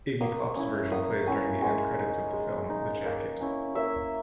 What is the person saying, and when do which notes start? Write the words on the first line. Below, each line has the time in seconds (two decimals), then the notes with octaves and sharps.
Iggy Pop's version plays during the end credits of the film "The Jacket".
0.21 A#3 D#6
0.56 C#4 E4
0.92 A#3 D#6
1.27 C#4 E4 G#5
1.62 G#3 G#5
1.98 D#4
2.33 G#3
2.70 D#4
3.05 A#3
3.41 C#4 E4
3.75 A#3 E5